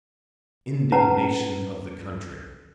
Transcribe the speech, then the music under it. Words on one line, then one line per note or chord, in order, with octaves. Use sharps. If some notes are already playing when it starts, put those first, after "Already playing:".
Indignation of the country....
C#4 B4 F#5 A5 A#5